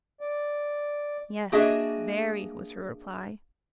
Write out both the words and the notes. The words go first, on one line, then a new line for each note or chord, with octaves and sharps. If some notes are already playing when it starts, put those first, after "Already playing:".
'Yes, very,' was her reply.
D5
A#3 D4 F#4 G#4 D#5 E5